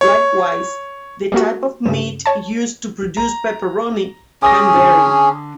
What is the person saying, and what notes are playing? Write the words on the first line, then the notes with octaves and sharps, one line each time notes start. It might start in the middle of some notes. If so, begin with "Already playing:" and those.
Likewise, the type of meat used to produce pepperoni can vary.
C#5
G3 A#3 F#4
G2 C#3
C#5 A5
A#5
C#4 G#4 D6 D#6 A#6
D3 D4